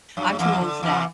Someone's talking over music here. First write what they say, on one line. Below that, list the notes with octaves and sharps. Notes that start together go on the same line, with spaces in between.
I'm too old for that.
F#2 F#3
F#3
E2 E3
D3
E2 E3